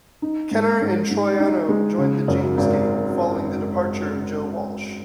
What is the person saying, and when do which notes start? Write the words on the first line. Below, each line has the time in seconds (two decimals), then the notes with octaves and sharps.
Kenner and Troiano joined The James Gang, following the departure of Joe Walsh.
0.22 D#4
0.51 G#2
0.82 G#2
1.11 G#2
1.40 D#4
1.69 G#3
1.98 C#3
2.28 F#2
2.57 G#1